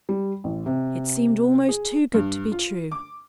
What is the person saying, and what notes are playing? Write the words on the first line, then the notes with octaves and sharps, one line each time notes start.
It seemed almost too good to be true.
G3
A1
C3
G#4
G2
F4
D6